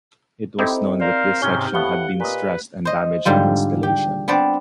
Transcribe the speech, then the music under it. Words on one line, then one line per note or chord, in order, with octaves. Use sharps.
It was known that this section had been stressed and damaged on installation.
C4 D#4 E4 G4 A4 D#5
A#4 C5 D5 F5
G#2 C3 C#4 F6 G6 G7
A2 B3 G4 F5 F#5 G7
A#2 B4 D#5
C5 D#5
G#2 D3 G3 F4
G4
B3 C4 D4 C5 D5